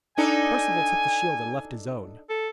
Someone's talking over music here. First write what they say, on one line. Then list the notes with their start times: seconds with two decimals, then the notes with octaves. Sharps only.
Perceval took the shield and left his own.
0.18 D4 D#4 A4 G#5
2.30 A4